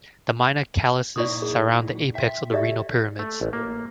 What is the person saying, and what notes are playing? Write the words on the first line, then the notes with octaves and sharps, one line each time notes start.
The minor calyces surround the apex of the renal pyramids.
A#2 D#4 E4 D5 C#6 D#6
G#4
E5 G5 C6
G4 A4 D5 E5
A3
A1
A#3